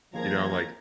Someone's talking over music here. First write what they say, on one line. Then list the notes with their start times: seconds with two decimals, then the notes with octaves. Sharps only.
you know, I'm like,
0.13 D#2 F3 G#4 A#4 A#5 G#6 A#6